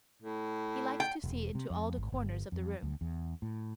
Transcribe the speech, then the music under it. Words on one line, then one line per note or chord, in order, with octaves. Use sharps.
"He likes to see into all the corners of the room."
A2
G5
E1
C3
F2
G#1
G1
F2
D2
E2
A2